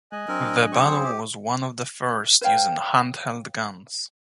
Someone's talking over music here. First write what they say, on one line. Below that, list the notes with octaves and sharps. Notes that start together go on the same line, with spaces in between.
The battle was one of the first using hand-held guns.
G#3 D#5 G#5 F#6
F#3 C4 D4 A#4
C4 G#4 C5 C#6
G4
B4 C#5 F5 G5